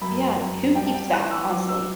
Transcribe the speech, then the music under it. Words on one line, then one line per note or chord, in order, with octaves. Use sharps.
Yeah, who keeps that, ho honestly?
F#2 B5
F#2
G3 G5
A5
G5
E3 F#6
E6
F#3 D6
E6